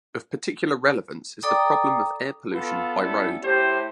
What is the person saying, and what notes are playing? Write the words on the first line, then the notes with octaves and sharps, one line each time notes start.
Of particular relevance is the problem of air pollution by road.
A4 D5 G5 A#5 D6 D#6
B3 F4 A4
G3 B3 C#4 E4 A4
A2 G4 C5